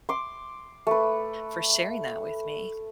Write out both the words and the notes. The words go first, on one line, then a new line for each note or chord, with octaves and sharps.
for sharing that with me.
C6 D6
A3 B4